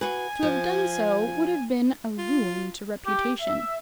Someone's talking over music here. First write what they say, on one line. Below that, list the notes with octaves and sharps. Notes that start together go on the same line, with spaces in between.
To have done so would have been a ruin to reputation.
F#4 B4 G#5
F3
F4
G4
E5